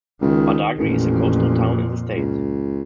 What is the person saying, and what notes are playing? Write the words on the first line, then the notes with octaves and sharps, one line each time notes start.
Badagry is a coastal town in the state.
C#2 D#3
A1 F2 A#2
C#2